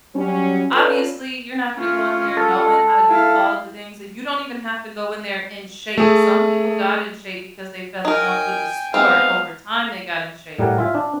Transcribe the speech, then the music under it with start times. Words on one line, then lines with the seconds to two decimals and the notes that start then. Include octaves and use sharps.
obviously, you're not gonna go in there knowing how to do all of the things, and you don't even have to go in there in shape. Some people got in shape because they fell in love with the sport. Over time, they got in shape.
0.14 F#3 G3 C#4
0.72 C#4 F4 A4 B4 D5
1.76 C#4 F4
2.37 A4
3.08 E4 F5
5.98 A3 G#4
8.05 D#4 A#4 G5 G#5
8.94 G#3 B3 C4 D#4 F5
10.58 A2 G3 A#4 F#5 G#5
10.78 F4 E5 G#5
10.95 D4